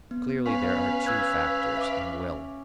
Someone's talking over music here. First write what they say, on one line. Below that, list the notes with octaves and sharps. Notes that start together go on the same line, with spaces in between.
Clearly there are two factors in will.
B3
C#4 B4 F5
E6 F#6 G#6
E5 D6